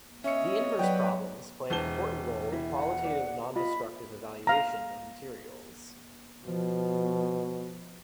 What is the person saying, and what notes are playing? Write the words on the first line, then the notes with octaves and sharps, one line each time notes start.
The inverse problems play an important role in qualitative nondestructive evaluation of materials.
C#4 C#5 D#5 E5 C#7
F#3 B4 D5 F#5 G5
E1 E4 C5 A5 G7
E4
F#5
D5
F4 D#5 B5
F5 A#5
B2 F3